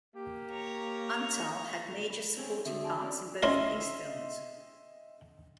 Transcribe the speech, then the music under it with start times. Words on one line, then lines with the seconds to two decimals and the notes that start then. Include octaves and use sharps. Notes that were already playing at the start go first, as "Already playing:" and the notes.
Antal had major supporting parts in both of these films.
0.15 A#3 G4
0.50 C#5 A#5
2.10 B5
2.37 C4 C#4 G#4
2.65 D3 C4 F#4 A4 E5
2.84 G#5 A5 C6
3.02 C#4 D4
3.43 C#4 E4 A#4 D#5 E5 C6